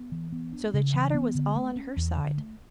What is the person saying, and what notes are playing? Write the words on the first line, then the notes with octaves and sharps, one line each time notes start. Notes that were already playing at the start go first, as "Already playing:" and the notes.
So the chatter was all on her side.
Already playing: B3
E3
B3
D4
C#3
E3
B3
D3
A3
C#4
E2
D3
A3